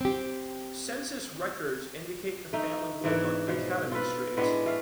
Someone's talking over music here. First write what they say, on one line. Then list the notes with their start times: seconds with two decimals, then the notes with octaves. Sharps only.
Census records indicate the family lived on Academy Street.
0.01 C4 G4
2.53 A3 D#4
3.04 G#2 E3 D4 C#5
3.48 B2 F3
3.92 F4 A4 B4
4.37 A2 G#3 B3 D4
4.66 A3 F5